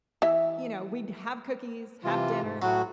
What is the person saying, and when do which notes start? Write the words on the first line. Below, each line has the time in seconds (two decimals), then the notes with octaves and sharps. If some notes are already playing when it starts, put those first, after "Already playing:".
y you know, we'd have cookies, have dinner,
0.22 E3 E5
2.03 C3 E3 F4
2.42 G#2
2.62 A2 F#3 F#4